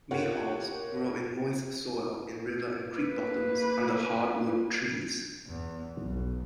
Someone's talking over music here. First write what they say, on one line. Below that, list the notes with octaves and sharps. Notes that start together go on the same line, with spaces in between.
Mayhaws grow in moist soil in river and creek bottoms under hardwood trees.
F4 G4 A#4 C#5 F#5
A#3 B4
E2
B1